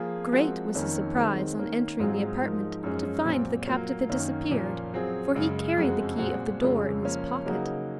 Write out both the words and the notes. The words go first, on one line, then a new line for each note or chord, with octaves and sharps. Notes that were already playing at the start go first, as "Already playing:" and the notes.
Great was his surprise, on entering the apartment, to find the captive had disappeared, for he carried the key of the door in his pocket.
Already playing: F3 A#3 F4 G#4
F3 G#3 C4 F#4 A#4
F2 D#3 A#3 C#4
D#3 G#3 C4 F#4 A#4
D#3 A#3 C#4
G#2 F#3 C4 F4 G#4
F3 G#3 D#4 A#4
F#2 F3 G#3 C#4
A#2 F#3 C4
F#3 A#3 F4
F#2 D#3 A#3 C#4
A#2 F3 A#3 C#4
F#3 C4 F4 G#4
F#2 C#3 G#3
F2 C#3 G#3 C4 F#4
A#2 G#3 C4 F#4
F2 C#3 G#3 C#4 F4
F3 A#3 C#4
C#3 F#3 A#3 D#4 F#4